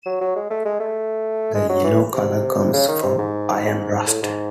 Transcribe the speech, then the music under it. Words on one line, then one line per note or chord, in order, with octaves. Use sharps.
The yellow color comes from iron rust.
F#3
F#3
G#3
A3
G#3
A3
G#3
F#3
E3
C3
C#3
D#3
C3
G#2
G#2
A2
G#2